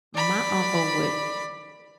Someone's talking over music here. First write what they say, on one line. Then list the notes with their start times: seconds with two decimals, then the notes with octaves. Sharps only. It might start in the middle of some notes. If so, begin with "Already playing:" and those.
my uncle would
0.15 D5 B5